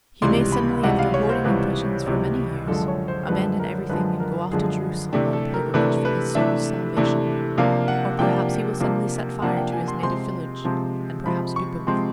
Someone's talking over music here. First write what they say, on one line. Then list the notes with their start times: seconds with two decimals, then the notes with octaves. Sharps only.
He may suddenly, after hoarding impressions for many years, abandon everything and go off to Jerusalem on a pilgrimage for his soul's salvation, or perhaps he will suddenly set fire to his native village, and perhaps do both.
0.22 C#2 C3 E3 G3 C6
0.52 B5
0.83 C#2 C3 E3 G3 F#5
0.99 F5
1.14 C#5
1.29 C5
1.44 C#2 C3 E3 G3 B4
2.06 C#2 C3 E3 G3
2.67 F#2 D3 F3 G#3 A4
2.88 C#5
3.08 C5
3.29 F#2 D3 F3 G#3 B4
3.60 A#4
3.89 F#2 D3 F3 G#3 B4
4.20 A#4
4.51 F#2 D3 F3 G#3 G#4
5.12 C3 E3 A3 D4 G4
5.33 A4
5.54 A#4
5.74 C3 E3 A3 D4 B4
6.05 B4
6.35 C3 E3 A3 D4 E5
6.97 C3 E3 A3 D4
7.58 C3 F3 A#3 D4 F5
7.88 F#5
8.19 C3 F3 A#3 D4 G5
8.80 C3 F3 A#3 D4
9.42 C3 F3 A#3 D4 F#5
9.57 G5
9.72 G#5
9.88 C6
10.03 C3 F3 G#3 C4 C6
10.64 C3 F3 G#3 C4
11.26 C3 F3 G#3 C4 B5
11.56 C#6
11.87 C3 F3 G#3 C4 C6